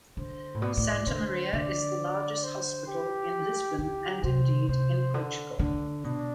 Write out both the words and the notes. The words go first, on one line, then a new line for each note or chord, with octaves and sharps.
Santa Maria is the largest hospital in Lisbon and indeed in Portugal.
D3 C5
A2
B2 D5
A2
D3 C5
D3 D5
C5
G4
D3 G4
C3 C5
C3 C5
D3
D3
B2 D4